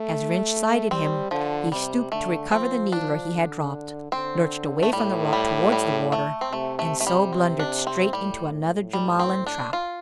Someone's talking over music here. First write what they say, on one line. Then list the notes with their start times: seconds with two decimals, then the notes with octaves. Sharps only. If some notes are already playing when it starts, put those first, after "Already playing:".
As Rynch sighted him, he stooped to recover the needler he had dropped, lurched away from the rock towards the water, and so blundered straight into another Jumalan trap.
Already playing: A3
0.91 G3 C4
1.31 D3 F3
1.72 C3 G3
2.12 D3 A3
2.51 F3 C4
2.92 D4
3.32 D3
4.12 D3 C4
4.83 A3
4.92 A2 G3
5.33 G3
5.72 G3
6.12 A3
6.41 C4
6.52 C3 A3
6.79 A3
7.00 A3
7.07 G3
7.33 C4
7.59 D4
7.87 C4
8.13 A2 G3
8.93 G3
9.19 C4
9.46 D4
9.73 F4